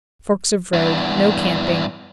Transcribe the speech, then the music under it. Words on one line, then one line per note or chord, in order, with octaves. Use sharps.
Forks of Road.--No camping.
E2 G2